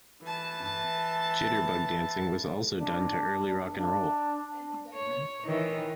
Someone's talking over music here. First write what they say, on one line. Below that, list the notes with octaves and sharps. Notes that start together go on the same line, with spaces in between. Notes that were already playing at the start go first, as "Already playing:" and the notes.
Jitterbug dancing was also done to early rock and roll.
E3 A5
D4
D4
C#5
D#3 E3